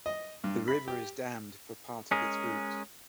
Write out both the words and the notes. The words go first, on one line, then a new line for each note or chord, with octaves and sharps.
The river is dammed for part of its route.
D#5
G2
B5
G4
G#3 C#4 G#4 A#4